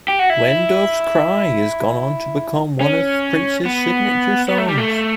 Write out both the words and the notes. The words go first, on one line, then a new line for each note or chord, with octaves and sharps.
"When Doves Cry" has gone on to become one of Prince's signature songs.
G4
F#4
E4
C#4
B3
B3
A3
G3
A3